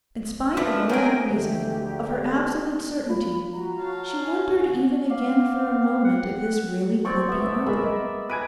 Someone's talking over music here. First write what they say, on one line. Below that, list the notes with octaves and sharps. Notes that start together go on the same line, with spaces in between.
In spite of all her reason, of her absolute certainty, she wondered even again for a moment if this really could be Arthur.
F3 A3 D4 B4
F#3 G#4 A#4 G5 G#5
D2 G#3 A3 G4
F4 B5
F#4 A#5
C#5 F5 A5
G#5
D3 F#5
F5 F#5 D6
G5
F#5
C4 D5 C#6
B3 E5
G#3 G#4 A#4 D5 E5 B5
D#5
B4 G#5 A#5 G#6 D7 D#7